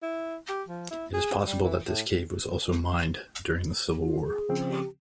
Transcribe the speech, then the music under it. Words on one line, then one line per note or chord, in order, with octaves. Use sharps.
It is possible that this cave was also mined during the Civil War.
E4
G4
F3
E4
G#4
G3
E3
A2
F4
G#4
C#3 F3 C4
G4